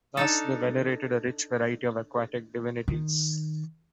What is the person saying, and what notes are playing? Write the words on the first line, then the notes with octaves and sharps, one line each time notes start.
Thus, they venerated a rich variety of aquatic divinities.
D4 D#4 A4
D#3